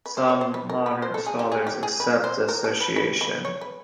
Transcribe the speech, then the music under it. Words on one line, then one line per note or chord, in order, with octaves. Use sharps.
Some modern scholars accept the association.
B4
C5
C#5
C5
B4
A#4
B4
C5
A4
G#4
G4
G#4
G4
G#4
B4
C5
A#4
A4
B4
B4
B4
C#5
B4